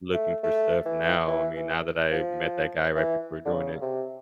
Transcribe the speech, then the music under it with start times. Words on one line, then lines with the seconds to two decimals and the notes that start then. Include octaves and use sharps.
looking for stuff now. I mean, now that I met that guy right before doing it.
0.14 A3
0.43 A3
0.85 E3
1.28 E3
1.56 E3
2.12 F3
2.96 E3
3.45 D3
3.53 C#3
3.81 C3